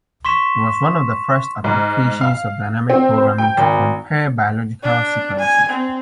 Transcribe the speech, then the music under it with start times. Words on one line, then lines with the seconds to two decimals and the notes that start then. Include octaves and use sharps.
It was one of the first applications of dynamic programming to compare biological sequences.
0.25 C6 C#6 B6 E7
1.64 G#2
2.21 F5
2.90 C4
3.18 C5
3.38 G5
3.57 G#1
4.83 D4
5.40 G#5
5.70 C4